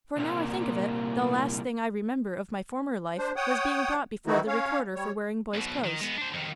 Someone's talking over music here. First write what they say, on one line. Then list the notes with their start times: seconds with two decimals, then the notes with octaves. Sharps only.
For, now I think of it, the last thing I remember of my former life was being brought before the recorder for wearing boy's clothes.
0.18 C2 A#2 A#3
3.18 D4 C5
3.36 C#5 F#5 G5 D#6
4.27 D#3 E3 A3 D#4 E4 F#4
4.47 C#4 C#5 F5
4.95 G3 C#5
5.54 B1 B2
5.84 D#3
6.01 G#3 B3
6.18 D4 C5
6.34 F2 D#3